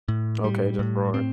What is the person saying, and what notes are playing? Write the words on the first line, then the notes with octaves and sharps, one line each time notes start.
Okay, just roar.
A2
G3
A2
C4